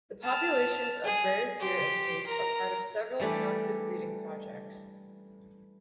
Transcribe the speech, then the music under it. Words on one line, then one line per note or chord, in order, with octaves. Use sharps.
The populations of rare deer and pigs are part of several captive breeding projects.
A5 F6
G#4
G4 C6
A#4 A#5
E3 G3 A3 D4